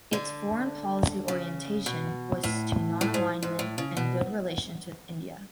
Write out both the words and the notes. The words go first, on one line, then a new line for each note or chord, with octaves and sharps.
Its foreign policy orientation was to nonalignment and good relations with India.
D3
C#3
B2
A2
A2
G#2
G#2
A2
C#3
B2